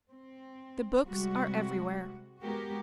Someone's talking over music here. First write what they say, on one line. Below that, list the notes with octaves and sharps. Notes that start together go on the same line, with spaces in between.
The books are everywhere.
C4
C3 G3 G#3 F#4
G#3 B3 F#4 G4 A#4